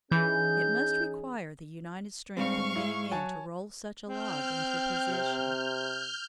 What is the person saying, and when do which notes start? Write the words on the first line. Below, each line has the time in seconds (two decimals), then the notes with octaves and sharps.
It must require the united strength of many men to roll such a log into position.
0.12 E3 C#4 D#4 G#4 G6
2.37 G#2 G3 C4 F5 C#6
2.76 G#2 E4
3.12 F#3 C#5 G#5 A5
4.08 C4 F6 G6
5.10 C3